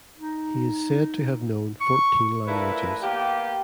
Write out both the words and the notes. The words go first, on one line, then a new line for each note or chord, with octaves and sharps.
He is said to have known fourteen languages.
D#4
C#6
F3 A3 D4 E4 A#4 B4
A#3 B3 F4 G4